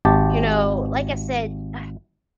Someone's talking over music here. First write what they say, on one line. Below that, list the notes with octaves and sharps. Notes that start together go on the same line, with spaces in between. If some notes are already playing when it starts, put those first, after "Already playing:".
you know, like I said, uh,
G#1 G4 A5